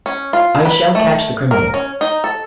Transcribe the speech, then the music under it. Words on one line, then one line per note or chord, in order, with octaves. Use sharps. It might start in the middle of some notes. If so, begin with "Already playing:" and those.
I shall catch the criminal.
C#4
F4
B4
A3
A#4
C#4
D#4
A4